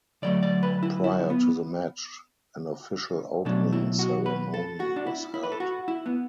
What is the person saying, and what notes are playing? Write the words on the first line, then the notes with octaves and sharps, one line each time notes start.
Prior to the match an official opening ceremony was held.
D3 F#3 A3 D5
D5
B4
E4
E4
B3
B2 F#3 A3 D4
E4
F#4
B4
A4
F#4
D4
E4
E4
B4
A4
F#4
E4
B3